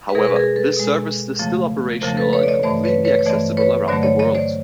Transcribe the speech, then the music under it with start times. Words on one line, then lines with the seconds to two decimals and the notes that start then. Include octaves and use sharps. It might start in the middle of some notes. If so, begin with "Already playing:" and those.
However, the service is still operational and completely accessible around the world.
0.09 B4
0.15 B2 G#3 G#4 A#4
0.25 B4
0.36 G#4 A#4
0.56 A4 B4
0.77 B2 G#3
1.39 F2 C#3 F3 A3
2.01 F2 C#3 F3 A3 A#4 C5
2.17 A4 B4
2.33 B4 C#5
2.43 D5
2.48 C#5 D#5
2.63 G2 E3 A3 C5 D5
2.84 B4 C#5
3.05 B4 C#5
3.19 C#5
3.26 G2 E3 A3 C5 D5
3.57 B4 C#5
3.87 G2 D3 F#3 A3 C5 D5
4.03 C#5 D#5
4.19 C#5 D#5
4.35 C5 D5